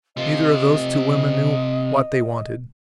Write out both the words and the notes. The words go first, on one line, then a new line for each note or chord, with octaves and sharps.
Neither of those two women knew what they wanted.
C3 F4 D#5